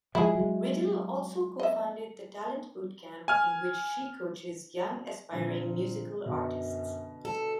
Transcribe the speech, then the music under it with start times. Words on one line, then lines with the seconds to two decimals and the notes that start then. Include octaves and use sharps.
Ridel also co-founded the Talent Bootcamp, in which she coaches young aspiring musical artists.
0.15 F3 G#3 E4 G#4
0.35 F#3 G#3
1.59 D#5 E5
3.28 G#5 F6
5.32 A#2 D3 F3 C4
6.26 F#2 B2 D3
7.25 A4